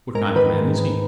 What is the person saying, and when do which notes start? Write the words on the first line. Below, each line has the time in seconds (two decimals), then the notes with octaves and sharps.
"What kind of man is he?"
0.15 G#2 A#4
0.35 D#3 B4
0.57 G#2
0.78 G#2